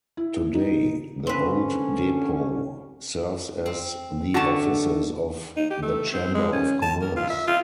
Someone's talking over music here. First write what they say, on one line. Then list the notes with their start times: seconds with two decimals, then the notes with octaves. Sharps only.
Today, the old depot serves as the offices of the Chamber of Commerce.
0.17 E4
0.55 D#4
1.27 D3 C4 C#4 B4
3.66 C4
4.34 D3 A3 F#4 A5
5.56 D#4
5.70 G4
5.82 A3
6.12 C4
6.34 G#3
6.52 C#4
6.82 A5
7.01 A#4
7.16 F4
7.30 E5
7.47 F4